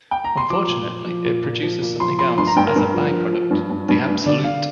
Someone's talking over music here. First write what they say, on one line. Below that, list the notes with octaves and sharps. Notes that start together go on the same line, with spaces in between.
Unfortunately, it produces something else as a by-product, the "absolute".
G5
A#5
C6
F3 D6
A#2
F3
F3
A#2
A#2
F3
A#2
F3 C6
F3 C6
G2 C6
A#5
G2 G5
A#4
G2
F3
F3
F3
G2
G2
G2
G2
D3 D5
D3 F5